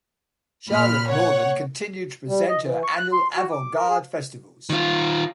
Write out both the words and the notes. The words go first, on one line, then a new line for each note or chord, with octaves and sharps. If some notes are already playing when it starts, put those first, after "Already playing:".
Charlotte Moorman continued to present her annual Avant Garde Festivals.
A#2 B5 F6
C#5 F#5
G3
D#5
E3
C#6
F#6
C6
F#4
D6
A#4
G#4
D#3 F4